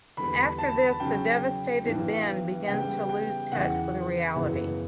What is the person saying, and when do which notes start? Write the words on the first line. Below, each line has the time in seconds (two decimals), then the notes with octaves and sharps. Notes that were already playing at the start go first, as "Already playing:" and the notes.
After this, the devastated Ben begins to lose touch with reality.
0.17 E2 D3 G3 B3 B5
0.58 A5
1.00 C#3 F#3 C#4 G5
1.84 G2 E3 B3
2.68 C#3 G3 B3 G5
3.09 G5
3.52 E2 C#3 E3 F#5
4.36 F#2 C#3 E3 B3